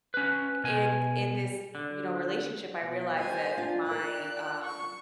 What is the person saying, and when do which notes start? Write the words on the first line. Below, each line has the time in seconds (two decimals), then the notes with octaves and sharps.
in in this, you know, relationship, I realized that my um
0.14 C#4 B4
0.64 B2 G#5
1.75 D3
2.81 B2
3.17 G3 F4 C5 G#5
3.57 D4 F4
3.86 F4 A#4 D5 F#6
4.64 C#6